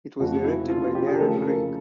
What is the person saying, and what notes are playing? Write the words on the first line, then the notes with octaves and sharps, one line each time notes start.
It was directed by Darren Craig.
F2 C#3 F3 A3 F#4
E4
F4
F4
G4
G#4
A#4
C#3 F3 A3 C#4 A4
A#4